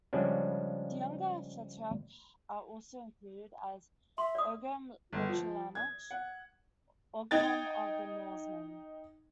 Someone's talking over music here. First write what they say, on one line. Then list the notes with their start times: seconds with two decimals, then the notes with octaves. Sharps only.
The Younger Futhark are also included, as" ogam lochlannach" "ogham of the Norsemen".
0.13 C#3 F3 G3 G#3 C#4 D4
4.18 E5 C6
4.35 D5 D#6
5.13 G1
5.29 F3
5.75 G#6
6.11 F#5
7.31 D#4 D#5 G5 G#6 A6